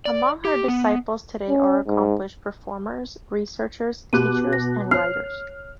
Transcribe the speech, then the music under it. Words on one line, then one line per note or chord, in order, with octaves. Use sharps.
Among her disciples today are accomplished performers, researchers, teachers and writers.
D5
G4
B3
C#4
G#2
B2 F#4 G4 D6 F#6 D#7
A#6
C#5 F6 C7